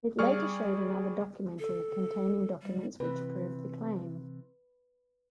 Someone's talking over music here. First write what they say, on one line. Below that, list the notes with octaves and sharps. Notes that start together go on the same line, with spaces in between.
It later showed another documentary containing documents which proved the claim.
G3 G#4 D5 C#6 F6
A4
G3
C3 E3 B4